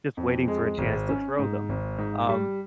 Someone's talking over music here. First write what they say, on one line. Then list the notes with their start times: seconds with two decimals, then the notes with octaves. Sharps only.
just waiting for a chance to throw them. Um,
0.17 F2
0.48 G#3
0.78 G#1
1.09 C#4
1.39 G#2
1.69 G#1
1.98 G#2
2.29 G3